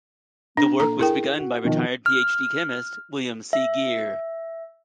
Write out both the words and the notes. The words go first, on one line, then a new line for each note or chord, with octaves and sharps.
The work was begun by retired Ph.D chemist, William C. Geer.
D4
A#2 A4 A#5
E4 G#4 A#4 G5
F#4
B2 D#3 F3
F6
E5